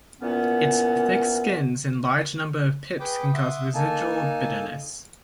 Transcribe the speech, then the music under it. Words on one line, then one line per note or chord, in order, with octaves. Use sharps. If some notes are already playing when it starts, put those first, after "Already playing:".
Its thick skins and large number of pips can cause residual bitterness.
A#2 E3 B3 C#4
G#4 B4 G5 D6
E5 F#5 C6 D6 D#6
A#3 D#4 A4 G#5 A5